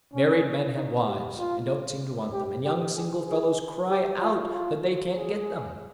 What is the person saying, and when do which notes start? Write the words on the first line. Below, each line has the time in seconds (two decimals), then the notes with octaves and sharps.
Married men have wives, and don't seem to want them; and young single fellows cry out that they can't get them.
0.14 C#4
0.77 D#4
1.07 G4
1.39 F4
2.33 G4
2.65 G4
2.96 G#4
3.27 G#4
3.90 G4
4.21 F4
4.53 F4
5.15 G#4